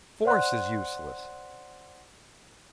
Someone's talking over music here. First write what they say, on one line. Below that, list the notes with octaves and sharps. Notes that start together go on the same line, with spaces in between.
Force is useless!
C5 D5 F#5 C6 F#6